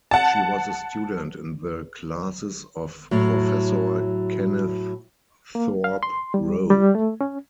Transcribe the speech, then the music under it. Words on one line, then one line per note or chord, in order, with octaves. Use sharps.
She was a student in the classes of Professor Kenneth Thorpe Rowe.
F#5 A5
A2 F#3
A#3
F5
C6
G3
G3
A3
C#4